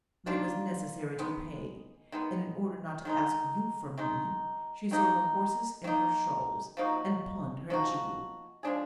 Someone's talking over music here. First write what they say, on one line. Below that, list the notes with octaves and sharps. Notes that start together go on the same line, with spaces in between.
But it was necessary to pay, and in order not to ask you for money, she sold her horses and her shawls, and pawned her jewels.
D#3 A#3 D4 F4
D#3 G#3 B3
D#3 G#3 B3
D#3 G#3 D#4
D#3 G#3 D#4
D#3 A#3 D#4
D#3 A#3 D#4
F3 A#3 D#4 F#4
F3 A#3 D#4 F#4
F3 G#3 D4 G#4